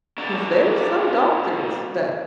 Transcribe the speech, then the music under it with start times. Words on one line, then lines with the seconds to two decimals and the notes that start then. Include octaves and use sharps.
'Cause there's some doctors that
0.18 B2 D4